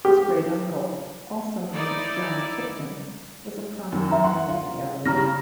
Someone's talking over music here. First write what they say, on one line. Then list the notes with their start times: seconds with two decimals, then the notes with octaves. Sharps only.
His great uncle, also named John Tipton, was a prominent man in the area.
0.05 G4
1.72 D#4 E4 D5
3.92 F#2 D#3
4.11 E5 A#5
4.24 F#5 C6
4.50 F4
5.05 C#3 G3 A#5 F6 A#6